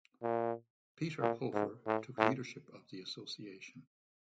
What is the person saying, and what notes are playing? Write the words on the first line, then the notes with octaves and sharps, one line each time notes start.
Peter Hofer took leadership of the Association.
A#2
A#2
G#2
A2
A2